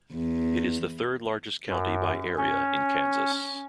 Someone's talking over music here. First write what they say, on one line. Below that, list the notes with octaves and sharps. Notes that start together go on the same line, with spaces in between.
It is the third-largest county by area in Kansas.
E2
F#2
C#4